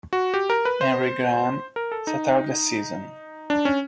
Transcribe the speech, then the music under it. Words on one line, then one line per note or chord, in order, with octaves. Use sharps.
Henry Graham sat out the season.
F#4
G4
A#4
B4
C5
A#4
A4
D#4
D4
C#4